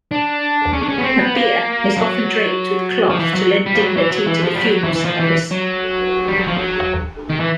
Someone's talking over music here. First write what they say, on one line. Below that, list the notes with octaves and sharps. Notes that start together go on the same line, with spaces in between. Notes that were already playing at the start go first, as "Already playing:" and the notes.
A bier is often draped with cloth to lend dignity to the funeral service.
D4
C#4
D4
C#4
B3
C4
B3
A#3
F#3
F3
E3
F#3
G3
F3
F#3
E3
F#3
E3
F3
G3
F#3
E3
E3
F3
E3
F#3
G3
F#3
F3
F#3
D#3
E3